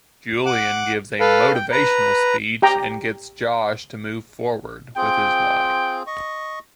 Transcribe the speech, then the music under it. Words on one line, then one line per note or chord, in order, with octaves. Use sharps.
Julian gives a motivational speech and gets Josh to move forward with his life.
F#5 D6
A4 B4 F5
G5
B4 A#5
G4 G5 A#5
C4 F4 G#4 G5
D#5 C#6